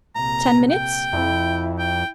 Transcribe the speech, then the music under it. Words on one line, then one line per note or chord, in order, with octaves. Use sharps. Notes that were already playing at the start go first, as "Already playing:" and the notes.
Ten minutes?
A#1 C3 A#5
G5
F2 E4
G5